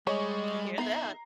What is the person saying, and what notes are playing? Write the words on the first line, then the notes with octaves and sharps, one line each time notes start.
I hear that.
G3 G#3 G#4 C#5 D#5 C#6
B3 D#4 E5 A#5 C7